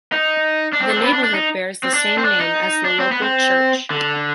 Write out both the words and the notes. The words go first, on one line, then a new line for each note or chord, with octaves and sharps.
The neighborhood bears the same name as the local church.
D#4
D4
C4
D4
C4
B3
D4
D4
D#4
C4
D4
C4
D4
D#4
D4
C4
B3
C4
D3